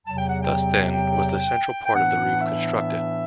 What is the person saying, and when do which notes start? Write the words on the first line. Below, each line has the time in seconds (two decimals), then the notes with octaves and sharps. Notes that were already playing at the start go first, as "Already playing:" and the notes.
Thus, then, was the central part of the roof constructed.
0.06 E2 C3 F#3 A5
0.18 G5
0.29 F#5
0.41 G5
1.85 G5
1.93 A2 E3 B3 D4 F#5
2.40 E5